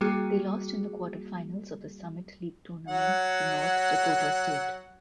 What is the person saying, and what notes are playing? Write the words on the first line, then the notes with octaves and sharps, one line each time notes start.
They lost in the quarterfinals of the Summit League Tournament to North Dakota State.
G3 A#3 F#4 G#4
F#3 F#5